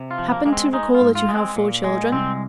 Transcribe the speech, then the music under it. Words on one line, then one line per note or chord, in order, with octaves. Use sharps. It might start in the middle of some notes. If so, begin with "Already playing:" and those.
Happened to recall that you have four children.
Already playing: C3
F4
F3
A#3
G#3 A#3
C4
G#3 D#4
F4
G#2
F4
G#3
C4
A#2
G#3
C2 C4